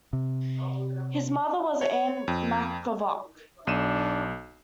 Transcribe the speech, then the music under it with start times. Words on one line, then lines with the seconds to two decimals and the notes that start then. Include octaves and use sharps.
His mother was Anne McGavock.
0.13 C3
1.81 C#5
2.28 F2
3.67 B1 D4 D#7 E7